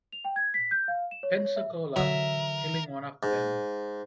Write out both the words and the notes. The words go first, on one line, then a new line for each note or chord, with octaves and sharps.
"Pensacola", killing one of them.
F7
G5
G#6
B6
G6
F5
E7
C#5
C#5
E5
D3 E3 F#3 A#4 E5
G#2